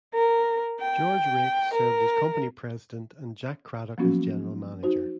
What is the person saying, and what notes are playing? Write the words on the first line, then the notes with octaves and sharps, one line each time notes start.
George Raikes served as company president, and Jack Craddock as general manager.
A#4
G5
A#4
F3 F#3 A#3 B3 C#4 F#4
D#4 F#4 C5